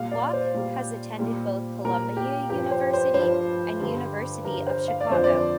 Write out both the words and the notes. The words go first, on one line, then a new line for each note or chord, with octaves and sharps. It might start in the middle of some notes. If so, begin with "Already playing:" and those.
Locke has attended both Columbia University and University of Chicago.
Already playing: A#2 G3 F5
D5
C5
A#2 G3
A#2 G3
A#2 G3 A#4
G4
G2 F3 G4
C5
C5
G2 C5
F3
G2 D3 G3
G2 D3 G3 A#4
C5
F5
D5
F2 D3 F3 C5
D5